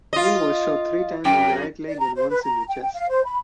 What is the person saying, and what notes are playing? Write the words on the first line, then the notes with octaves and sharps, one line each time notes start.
Hill was shot three times in the right leg and once in the chest.
F4 D#5
F#2 G5
D5
A#5
C5
B4
A#5
G5
G5
F5
C5
B5